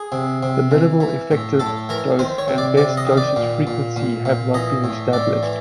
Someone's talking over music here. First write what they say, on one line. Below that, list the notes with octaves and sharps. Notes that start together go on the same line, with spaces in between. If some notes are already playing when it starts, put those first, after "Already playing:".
The minimal effective dose and best dosage frequency have not been established.
Already playing: G#4
C3
C3
E3
E3
A2
A2 A4
E3 A#4
D#3 C5
C#5
C3
D5
C3 D5
D#5
D#3
D5
A#2
A#2
A#2
A#2
E3 D#5
A2
A2 D5
E3